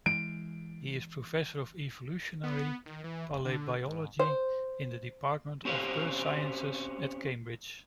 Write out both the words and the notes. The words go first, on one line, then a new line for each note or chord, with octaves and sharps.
He is professor of evolutionary palaeobiology in the Department of Earth Sciences at Cambridge.
E3 G#3 D7
B3
D#3
E3
F1
D3
G#2
C5
C4 C#4 G4 C5 F5